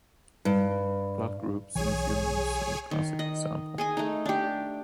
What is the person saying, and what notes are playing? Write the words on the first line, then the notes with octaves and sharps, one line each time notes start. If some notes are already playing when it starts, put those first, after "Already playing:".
Blood groups in humans is a classic example.
G2
B1 E3 G#4 C#5 G#5
D#3
D#5
G#4 D#5 G#5
A3 D#4
D4 G4